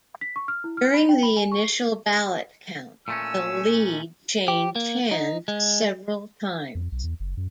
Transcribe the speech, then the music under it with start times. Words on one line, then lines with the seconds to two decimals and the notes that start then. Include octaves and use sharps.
During the initial ballot count, the lead changed hands several times.
0.21 B6
0.36 C#6
0.48 F6
0.64 E4
0.77 F6
0.94 B5
1.09 G5
1.23 B5
1.37 G#5
1.52 C#6
1.64 C7
3.08 A#2 A3 C#4 E6
4.48 G4
4.76 A#3
5.11 D#4
5.48 G#3
6.75 F2
6.92 B1
7.03 E2
7.20 F#1
7.37 F#2